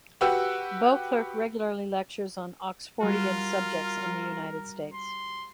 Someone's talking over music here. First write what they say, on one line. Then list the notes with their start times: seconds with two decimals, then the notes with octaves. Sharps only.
Beauclerk regularly lectures on Oxfordian subjects in the United States.
0.21 F#4 G4 B4 F#5 G5 E6
3.02 G3 F4 F#4 A#4
4.94 C6